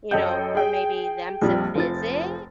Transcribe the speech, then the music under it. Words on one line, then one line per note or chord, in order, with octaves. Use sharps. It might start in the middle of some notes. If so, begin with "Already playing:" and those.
you know, for maybe them to visit.
F#2 A4 D#5 G5 G6
G#4 G5
A#1 F2 F3 G3
F1 F3 A6